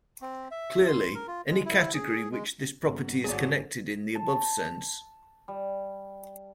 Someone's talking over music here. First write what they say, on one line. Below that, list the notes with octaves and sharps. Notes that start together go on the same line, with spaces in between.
Clearly, any category which this property is connected in the above sense.
C4
E5
C6
A#4
F4
G#3
E4
G#4
G#3
G#1 G3 A#3 B3 F#4
G#1 D3 D#3 F3 F#3 G#4 D5
A5
G3